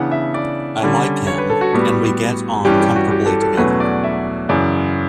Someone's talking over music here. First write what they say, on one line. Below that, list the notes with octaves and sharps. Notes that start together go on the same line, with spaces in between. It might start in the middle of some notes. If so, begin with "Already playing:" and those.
I like him, and we get on comfortably together.
Already playing: C#3 E3 B3 D4 F#5
E5
D5
D3 G3 C#4
C#5
B4
A4
F#4
A2 G3 B3
G2 E3 G3 C#4 G4
G4
F#4
G4
A4
A4
E2 B2 F#3 A3 C#4 B4
D5
E5
F#2 C#3 E3 D5